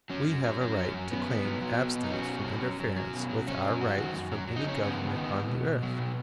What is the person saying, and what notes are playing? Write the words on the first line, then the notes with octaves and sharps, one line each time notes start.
We have a right to claim abstinence from interference with our rights from any Government on the earth.
F#3 C#4
F#3
F#3
F#3
F#2 C#4
F#2
F#2 B3
F#3
F#3
F#3
B2
B2
D#4
F#3 C#4
B2
F#3
F#3
F#3
F#3
B2
F#3
F#2 C#4
F#3
F#2 F#4
D#3
F#2
F#3
F#3
D#4
C#3 C#4
D#3 B3
G#2
D#3
G#2
B2
B2
F#3
B2